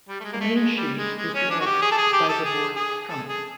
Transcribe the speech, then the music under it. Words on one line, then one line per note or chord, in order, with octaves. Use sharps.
The mainsheet is led to the daggerboard trunk.
G3
A3
G#3
A#3
A3
G#3
G3
G#3
G#3
C#4
D4
F#4
G4
G#4
A4
G#4
G4
A4
G#4
G#4
A4
G#4